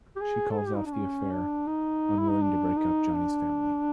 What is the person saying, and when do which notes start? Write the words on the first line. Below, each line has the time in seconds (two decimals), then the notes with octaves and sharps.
She calls off the affair, unwilling to break up Johnny's family.
0.16 G4
0.21 G#4
0.51 A4
0.58 G#4
0.68 G4
0.77 D#4
0.86 D4
0.94 C#4
1.32 D4
1.67 D#4
2.19 E4
2.30 D#4
2.42 D4
2.77 D#4
3.15 D4